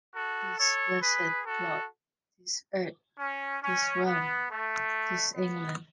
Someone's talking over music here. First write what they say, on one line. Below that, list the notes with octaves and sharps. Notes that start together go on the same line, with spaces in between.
This blessed plot, this earth, this realm, this England.
F#4 A4
A4 C#5
G#4 B4
F#4 A4
C#4
C#4
B3
A3
B3